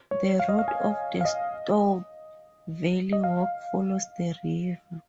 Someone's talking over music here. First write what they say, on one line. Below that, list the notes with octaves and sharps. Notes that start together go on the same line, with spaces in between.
The route of the Stour Valley Walk follows the river.
C#5
F5
D#5
F5
G#5
F5
D#5
D#5
F5